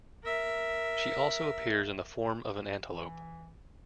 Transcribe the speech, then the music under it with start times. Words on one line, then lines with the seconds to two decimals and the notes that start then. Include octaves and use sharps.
She also appears in the form of an antelope.
0.23 A#4 E5
2.90 E3